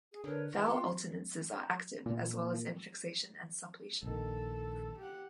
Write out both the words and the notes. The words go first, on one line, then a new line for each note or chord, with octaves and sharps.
Vowel alternances are active, as well as infixation and suppletion.
G#4
D3 A#4 B4 C#5
E3 E5 G5
B3 F4 G5 C6
A#2
A#1 D#3 A4
G4 F#5